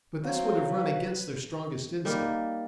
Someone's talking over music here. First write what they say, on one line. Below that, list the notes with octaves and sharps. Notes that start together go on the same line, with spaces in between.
But this would have run against their strongest instincts.
F#3 C4 F5
B4
G3 A#3 D#4